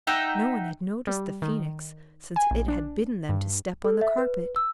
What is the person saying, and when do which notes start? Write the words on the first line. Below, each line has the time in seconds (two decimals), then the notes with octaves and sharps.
No one had noticed the Phoenix since it had bidden them to step on the carpet.
0.07 D#4 E5 F#5 G5
1.07 G3
1.42 D#3
2.36 G#5
2.51 A#1
2.68 D4
3.29 G2
3.85 A4
4.01 E5
4.18 B4
4.56 E6